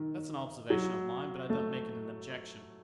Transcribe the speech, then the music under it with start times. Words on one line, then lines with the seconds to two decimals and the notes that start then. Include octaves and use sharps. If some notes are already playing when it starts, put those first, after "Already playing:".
That's an observation of mine, but I don't make it an objection.
Already playing: D#3
0.70 F#3
1.50 A3